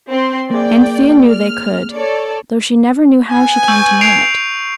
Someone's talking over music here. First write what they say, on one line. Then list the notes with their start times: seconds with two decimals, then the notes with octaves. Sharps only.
Anthea knew they could, though she never knew how she came to know it.
0.10 C4 C6
0.50 A#3 G#4 D5 G5
1.30 F6
1.94 A4 C#5 D5
3.30 B3 G#5
3.68 C#6 E6 G6
4.01 C7 D7 F7